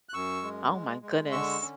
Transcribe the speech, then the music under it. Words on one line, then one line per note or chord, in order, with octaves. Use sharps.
Oh my goodness.
F#6
F#2 C#6 E6
G#3
G#3
G#3
D3 C#6 E6
C#4